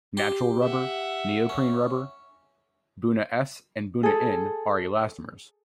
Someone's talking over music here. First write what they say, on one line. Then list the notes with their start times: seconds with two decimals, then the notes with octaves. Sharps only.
Natural rubber, neoprene rubber, buna-s and buna-n are elastomers.
0.17 G4 C6
0.63 E5 F#5
1.49 C#4
4.03 G#4 A4